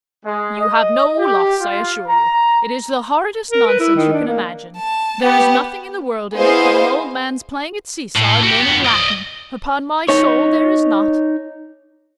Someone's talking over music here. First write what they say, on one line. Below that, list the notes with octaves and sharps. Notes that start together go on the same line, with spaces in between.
"You have no loss, I assure you; it is the horridest nonsense you can imagine: there is nothing in the world in it but an old man's playing at see-saw and learning Latin; upon my soul, there is not."
G#3
D#5
G4
F4
A#5
A#4
B4
E4
D#3
D4
A#3
A5
B3 G4
B3 E4 G#4 C5 D#5 F5
A2
F#4 G4
F2 B3
D5 D#5
D#4 C#5